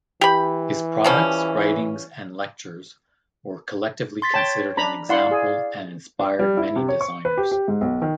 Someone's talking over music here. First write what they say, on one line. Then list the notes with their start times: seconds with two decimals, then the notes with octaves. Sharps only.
His products, writings, and lectures were collectively considered an example and inspired many designers.
0.21 E3 G4 B5
1.04 F3 G3 C#4
4.22 C6 A6 B6
4.34 C#5 G5 A5
4.77 D4 A#5 B5
5.09 E4 D5 F5 F#5 C6
5.31 G#4
6.19 D4
6.39 G3
6.57 E4
6.76 C3
6.88 C#5
7.01 C#6
7.25 B4
7.37 G4
7.52 G4
7.68 G#2
7.81 B1
8.02 D#3